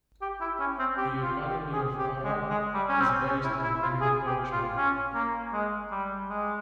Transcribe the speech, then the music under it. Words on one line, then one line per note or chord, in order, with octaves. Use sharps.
The economy of Hara is based on agriculture.
G4
E4
C#4
C4
G4
F4
G4
G#4
G4
G#3
G#3
G3
C#4
C4
C#4
E4
E4
F4
G#4
G4
F4
C#4
A#3
G#3
G3
G#3